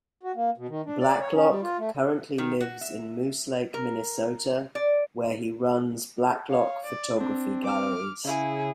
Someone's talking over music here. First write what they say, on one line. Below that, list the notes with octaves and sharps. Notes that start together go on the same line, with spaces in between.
Blacklock currently lives in Moose Lake, Minnesota, where he runs Blacklock Photography Galleries.
F#4
A#3
B2
D#3
D4
D5
C#5
C#4
G3
F4
A3
D#3
F#4
E5
A#4
D5
C#5 F5
D5
C4 D4
D6 F6
C#3 E4 G#4